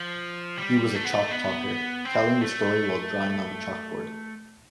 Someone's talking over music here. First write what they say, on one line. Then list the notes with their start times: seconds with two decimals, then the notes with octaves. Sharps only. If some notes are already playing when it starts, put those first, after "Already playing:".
He was a 'chalk talker', telling the story while drawing on the chalk board.
Already playing: F3
0.58 G3
0.95 A3
1.05 B3
1.13 A3
1.31 B3
2.05 C4
2.41 A3